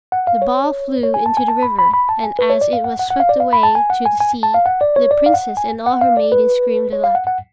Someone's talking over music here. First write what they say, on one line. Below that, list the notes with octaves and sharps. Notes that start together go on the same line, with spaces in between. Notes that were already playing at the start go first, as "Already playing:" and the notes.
The ball flew into the river, and, as it was swept away to the sea, the Princess and all her maidens screamed aloud.
F#5
F5
C#5
C#5
G#5
A5
G#5
A5
B5
B5
B5
A5
G#5
B4
C#5
D5
F5
F#5
F#5
F#5
F5
D5
F5
B5
A5
G#5
F#5
G#5
G#5
A5
F5
F#5
D5
C#5
D5
F5
F#5
G#5
F#5
F5
D5
B4
C#5
F5
F#5
F#5